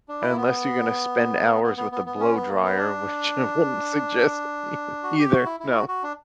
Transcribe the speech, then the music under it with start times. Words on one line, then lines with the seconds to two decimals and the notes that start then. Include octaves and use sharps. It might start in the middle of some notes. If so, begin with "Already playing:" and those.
Unless you're gonna spend hours with the blow dryer, which I wouldn't suggest ei either no.
0.08 D4
0.22 E4
0.29 A#3
0.36 B3
1.63 B3
1.77 B3
1.92 B3
2.06 B3
2.20 C#4
2.34 B3
2.49 A#3
2.63 B3
2.77 D4
5.03 F#4
5.18 G4
5.32 F#4
5.46 E4
5.60 E4
5.74 F#4
5.88 F#4
6.03 D4